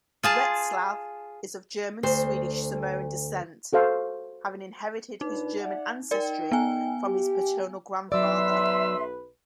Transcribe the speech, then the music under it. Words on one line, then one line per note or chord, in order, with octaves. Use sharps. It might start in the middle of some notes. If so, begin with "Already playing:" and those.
Retzlaff is of German-Swedish-Samoan descent, having inherited his German ancestry from his paternal grandfather.
F4 G#4 A5
D2 C5
F#4 A4 C5 F5
A#2 D4 D#4 B4
D5 E5 F#5
D#4 A#4 D5 G5
B3 G#5
G4
B1 F#3 B4 D5 E5 C6 E6